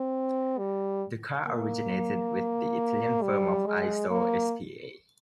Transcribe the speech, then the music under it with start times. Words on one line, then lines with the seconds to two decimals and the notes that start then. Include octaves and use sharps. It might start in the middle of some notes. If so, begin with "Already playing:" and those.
The car originated with the Italian firm of Iso SpA.
Already playing: C4
0.58 G3
1.46 A#3
3.22 G3
3.66 G#3
4.10 A#3